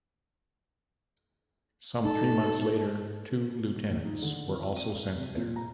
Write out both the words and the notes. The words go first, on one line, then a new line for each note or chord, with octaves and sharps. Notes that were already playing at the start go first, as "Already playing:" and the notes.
Some three months later, two lieutenants were also sent there.
D#4 A4
A#1
D#4
D3
F2
D#7
C3
A#2
A#5